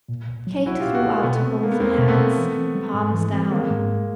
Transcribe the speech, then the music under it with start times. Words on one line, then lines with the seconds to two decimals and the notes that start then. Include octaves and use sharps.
Kate threw out both hands, palms down.
0.09 A#2
0.28 C2
0.47 F#3
0.65 C2 E4 F#4
0.80 F4 G4
0.85 A#2
0.94 E4 F#4
1.05 C2
1.11 A#3
1.23 B2 A3 B3
1.42 C4
1.62 G#3 A#3
1.72 B3
1.79 E2 A#3 C4
1.98 B2
2.08 A3 B3
2.18 C4
2.38 E3
2.57 C4
2.75 G3
2.94 G#2
3.13 E3
3.32 C4
3.51 D#3 G#3 A#3
3.70 G#2
3.89 G#3